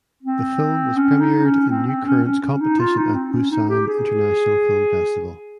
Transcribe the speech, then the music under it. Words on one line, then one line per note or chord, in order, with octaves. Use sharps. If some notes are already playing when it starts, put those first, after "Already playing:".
The film was premiered in New Currents competition at Busan International Film Festival.
C4
C#4
D#4
C#4
C4
C4
C#4
C#4
C#4
D#4
F4
D#4
C4
C#4
D#4
G4
G#4